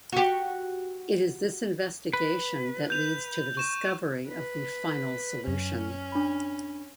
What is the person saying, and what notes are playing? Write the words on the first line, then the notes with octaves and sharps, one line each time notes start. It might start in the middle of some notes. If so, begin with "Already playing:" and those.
It is this investigation that leads to the discovery of the "final solution".
F#4 G4
B4
G6 F7
C#6 E7
B4
F#2 C#4
D4 B5